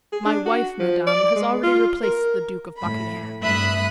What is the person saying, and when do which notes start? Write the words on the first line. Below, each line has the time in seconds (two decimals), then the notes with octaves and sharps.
"My wife, madame, has already replaced the Duke of Buckingham."
0.12 G#4
0.25 D4
0.46 F#4
0.79 F3
1.07 D5
1.36 G#3
1.63 F4
2.03 A#4
2.77 A2 B5
3.41 G2 A3 E5 B5 D#6 F#6